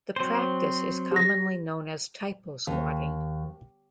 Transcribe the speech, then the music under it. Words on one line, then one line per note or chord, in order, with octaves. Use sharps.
The practice is commonly known as "typosquatting".
F#3 C4 C5
G4 A#6
D#2